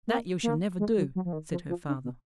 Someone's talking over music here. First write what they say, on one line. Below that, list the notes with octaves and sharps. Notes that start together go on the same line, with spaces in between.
"That you shall never do!" said her father.
A#3
A#3
G#3
F#3
F#3
F3
D#3
F3
F3
D3
B2